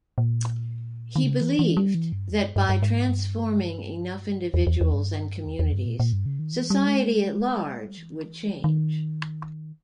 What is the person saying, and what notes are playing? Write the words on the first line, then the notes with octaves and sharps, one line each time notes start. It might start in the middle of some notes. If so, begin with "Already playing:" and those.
He believed that by transforming enough individuals and communities, society at large would change.
A#2
D#3
C#3
E3
E3
G3
E3
G2
E2
G2
G2
G2
G#2
G2
E2
E2
E2
G2
E2
E2
G2
A#2
A#2
G2
C#3
D#3
E3
G3
G#3
G3
G#3
G3
E3
D#3